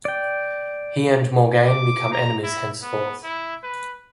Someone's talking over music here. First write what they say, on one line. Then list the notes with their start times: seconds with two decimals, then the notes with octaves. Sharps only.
He and Morgaine become enemies henceforth.
0.05 D5 G5
1.66 D6
2.12 A#5
2.43 E4
2.82 B3
3.24 E4
3.64 B4